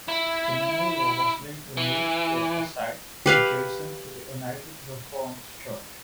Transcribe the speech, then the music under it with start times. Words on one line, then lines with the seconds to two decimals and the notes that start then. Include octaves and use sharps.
The memorial was later moved to a site adjacent to the United Reformed Church.
0.08 E4
1.77 E3
3.26 G4 B4 F5